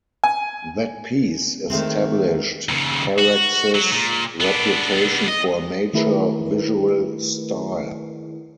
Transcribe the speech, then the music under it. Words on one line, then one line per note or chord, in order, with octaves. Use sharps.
That piece established Carax's reputation for a mature visual style.
G#5
D#3 G#3 A3 C4
D#2 C#3
F#4
F#3
A#2
B3 D4
D#5
D#3 A3 E4 G#4 A#4 B4